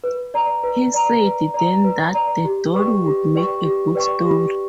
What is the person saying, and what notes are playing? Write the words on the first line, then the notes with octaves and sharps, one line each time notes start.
He said then that the doll would make a good story.
B4
D5 A#5
B4
D5 A#5
B4
D5 A#5
B4
D5 A#5
G4
B4 D5 G5 C#6
G4
B4 D5 G5 C#6
G4
B4 D5 G5 C#6
G4